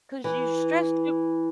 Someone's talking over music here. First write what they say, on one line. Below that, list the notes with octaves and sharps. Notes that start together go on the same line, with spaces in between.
'Cause you stress too
E3